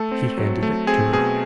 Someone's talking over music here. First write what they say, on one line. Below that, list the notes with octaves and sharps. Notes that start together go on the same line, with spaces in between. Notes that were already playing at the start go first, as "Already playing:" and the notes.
He handed it to me.
Already playing: A3 A4
C4
F#3
A3
C4 G#4
B2 G#4